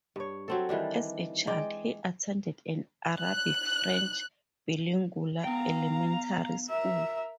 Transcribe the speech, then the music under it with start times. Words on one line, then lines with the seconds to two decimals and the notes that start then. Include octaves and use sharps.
As a child, he attended an Arabic-French bilingual elementary school.
0.16 G2 C#5
0.48 F#3 C4 A4
0.69 D#3 E3 G3 D4
1.47 G#3 D5 G5
3.21 F#6
5.43 B3 F5 G5 A#5
6.69 A#4 E5